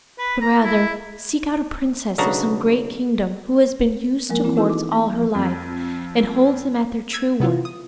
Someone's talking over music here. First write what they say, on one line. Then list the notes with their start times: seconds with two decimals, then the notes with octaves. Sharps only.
But rather seek out a princess of some great kingdom, who has been used to courts all her life, and holds them at their true worth.
0.19 B4
0.41 A#5
0.61 E4
2.18 B1 C#3 D4 F#4 A#5
4.29 F3 G#3 A#3 A#4
4.44 E3 C4 E4
4.56 B3 D#4 E4 F#4 A4 B4
4.69 D6
4.92 A#3
5.15 F3
5.35 F2
7.13 E6 G#6
7.40 C3 B3 E4 F4
7.65 D#6